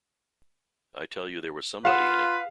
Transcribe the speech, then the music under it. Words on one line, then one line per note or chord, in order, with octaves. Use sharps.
I tell you there was somebody in it.
F4 G#4 B4 F5 F#5 E7